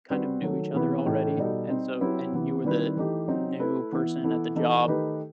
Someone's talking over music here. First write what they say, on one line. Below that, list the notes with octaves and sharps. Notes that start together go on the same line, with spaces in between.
kind of knew each other already, and so and you were the new person at the job,
G3 C4 F#4 B4
D#3 F#3 A3
C3 E3 B3 E4 B4
A2 E3 A3 D#4
B2 G3 D#4 A4
G3 C4 D#4
F#3 C4 E4 G4 B4
C3 E3 B3 E4
D#3 G3 C4 E4 B4
E3 A3 D#4 G4
F#3 C4 D#4
A3 E4 B4
E3 B3 E4
E3 B3 E4 A4
E3 B3 D#4 A4
D#3 A3 D#4 G4 B4